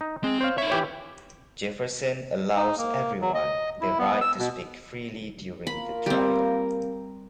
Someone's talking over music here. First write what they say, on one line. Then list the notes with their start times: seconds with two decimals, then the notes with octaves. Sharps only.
Jefferson allows everyone the right to speak freely during the trial.
0.01 D#4
0.24 G#3 C4
0.41 C5 C#5 F5
0.58 D#4 C#5 E5
0.70 E3 G4 C#5
2.57 D#4
2.78 A#3
3.21 F#3
3.35 D#5
3.81 E4
3.98 B3
4.21 E6
4.39 B2
5.67 A#3 F4 A#4 B5
6.06 G3 C4